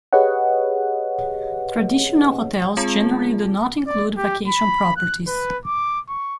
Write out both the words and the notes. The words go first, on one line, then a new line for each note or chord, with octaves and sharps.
Traditional hotels generally do not include vacation properties.
G4 G#4 B4 C#5 D#5 F#5
G#3 C4 F4 G#4 A5
D5
G4
B5
F#6
B4
D6
C#6